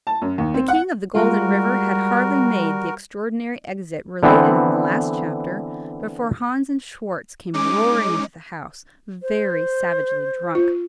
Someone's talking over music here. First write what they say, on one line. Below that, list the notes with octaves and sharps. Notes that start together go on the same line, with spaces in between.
The King of the Golden River had hardly made the extraordinary exit related in the last chapter, before Hans and Schwartz came roaring into the house, very savagely drunk.
A5
F#2
D#2
C4
F#5
G3 G#3 F4 F#4 A#4
D3 E3 B3 C4
G#3 C#4 D#4 D6
C5
F4